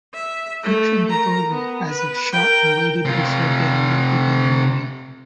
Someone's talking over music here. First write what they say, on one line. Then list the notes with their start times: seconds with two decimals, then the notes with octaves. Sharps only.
He trembled over as if shot and waited before getting up again and running.
0.14 E5
0.64 A3
1.10 A#4 A#5
1.51 B3
1.88 B4
2.33 A#4 G5
3.06 C3 F4